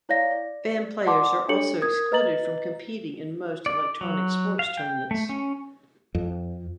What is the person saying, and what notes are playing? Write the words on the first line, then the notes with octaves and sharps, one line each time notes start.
Banned players are also excluded from competing in most electronic sports tournaments.
E4 C#5 D5 F5 A#6
D5
D5 F#5 A5 C6 D6
D4 G4 A4 C#5 C#7 F#7
A#4 D#6 G#6
B4 D#5 A#5 A6 F#7
D5
F#3
F5
G5
A3
C#4
F2